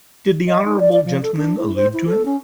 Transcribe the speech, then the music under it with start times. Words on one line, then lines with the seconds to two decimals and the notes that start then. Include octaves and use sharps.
Did the honourable gentleman allude to him?
0.48 D#5
0.65 D#4
0.79 D5
0.92 D5
1.05 F3
1.23 A4
1.36 D4
1.58 E4
1.76 C5
1.93 E4
2.06 A4
2.25 C#4